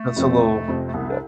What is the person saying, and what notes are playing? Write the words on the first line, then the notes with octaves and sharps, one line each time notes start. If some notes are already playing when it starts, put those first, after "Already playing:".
That's a little yeah.
Already playing: A3
F2 C3 F3 C4
F1
F2 C3 F3 C4
A3
C2 B3
D4